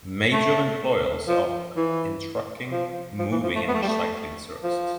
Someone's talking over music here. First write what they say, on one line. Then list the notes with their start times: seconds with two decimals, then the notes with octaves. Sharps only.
Major employers are in trucking, moving and recycling services.
0.33 A3
1.28 F3
1.77 E3
2.72 F3
3.19 F3
3.32 E3
3.43 F3
3.56 A3
3.68 B3
3.74 A3
3.82 G3
3.89 A3
4.64 F3